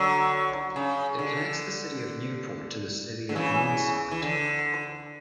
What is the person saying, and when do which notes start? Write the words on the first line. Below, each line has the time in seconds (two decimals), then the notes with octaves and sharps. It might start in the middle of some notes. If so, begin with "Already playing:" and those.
It connects the city of Newport to the city of Woonsocket.
Already playing: D3 F#3
0.76 C#3
1.19 D3
3.29 D3
3.36 C#3 E3
4.11 E3
4.23 D3